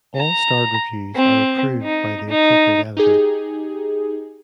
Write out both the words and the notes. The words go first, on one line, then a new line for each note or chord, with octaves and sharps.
All starred reviews are approved by the appropriate editor.
A#5
C4
D#4
D#4
D#4 G4 G#4